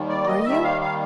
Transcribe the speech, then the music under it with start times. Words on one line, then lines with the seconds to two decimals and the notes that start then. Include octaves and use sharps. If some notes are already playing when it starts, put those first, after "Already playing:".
"Are you?"
Already playing: D#2 D#3 G3
0.09 D5
0.27 D#5
0.45 D#2 D#3 G3 E5
0.63 F5
0.81 F5